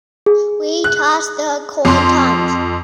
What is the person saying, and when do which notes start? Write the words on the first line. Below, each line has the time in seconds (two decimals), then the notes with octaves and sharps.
We toss the coin times.
0.26 G#4
0.84 F#6
1.85 F2 C6